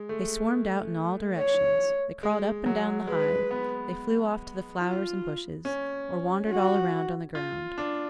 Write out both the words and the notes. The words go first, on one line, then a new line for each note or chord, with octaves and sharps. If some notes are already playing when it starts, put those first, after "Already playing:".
They swarmed out in all directions; they crawled up and down the hive; they flew off to the flowers and bushes, or wandered all around on the ground.
Already playing: G#3
A3
C#5
G#3
F#3
G#3 B4
B3
F4
C#4
F#4
F4
D4